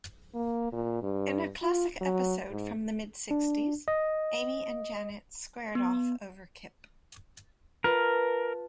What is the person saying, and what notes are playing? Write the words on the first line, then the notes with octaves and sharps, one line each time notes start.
In a classic episode from the mid-sixties, Amy and Janet squared off over Kip.
A#3
A#2
G2
F4
F#3
G#2
D4
D#5
B3
F4 A#4 B4 A5